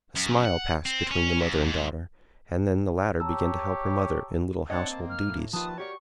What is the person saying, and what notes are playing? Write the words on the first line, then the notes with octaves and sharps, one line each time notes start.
A smile passed between the mother and daughter; and then the latter began to help her mother in little household duties.
F#2
F#5
C4
C#4
F2
G#2
G4 C#5 A5 A#5 E6
C4 D4 C#5 D#5 F#5 A5
A#3
F6
A2
D#2 D#3 F3 F4 B4 A5 D#6
F#4 G4 A#4 C#5 D5 C#6